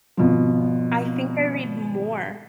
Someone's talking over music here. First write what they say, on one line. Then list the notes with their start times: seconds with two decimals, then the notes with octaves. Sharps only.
I think I read more.
0.17 G#1 B2 F3